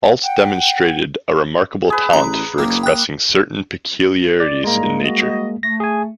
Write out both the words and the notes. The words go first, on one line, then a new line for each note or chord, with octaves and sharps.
Alt demonstrated a remarkable talent for expressing certain peculiarities in nature.
F#5 G5
G#4 B4
A1 A#5
F#1 A#3 G4 A#4
G5 F#6
D5
G#2 G3 G#3 A#3 A#5
G3 F#4 D#5
A3 A#6
G#4 G#5